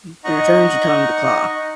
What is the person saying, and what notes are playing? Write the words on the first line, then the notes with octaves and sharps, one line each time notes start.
In return, she taught him the 'Claw'.
D#4 D#5 F#5 A#5 C#6